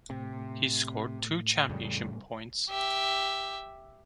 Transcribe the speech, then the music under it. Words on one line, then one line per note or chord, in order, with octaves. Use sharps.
He scored two championship points.
A2 C3
F2 C#3 G3
G4 E5